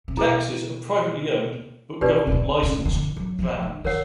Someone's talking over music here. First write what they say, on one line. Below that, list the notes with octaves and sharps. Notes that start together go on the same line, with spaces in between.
Taxis are privately owned, but government licensed, vans.
C3
B2 E4 G#4 B4
C3 D#4 G4 B4 D5
C#3
C3
C#3
D#3
D3
F#3
F3
D#3
D#3 A#4 C#5 F#5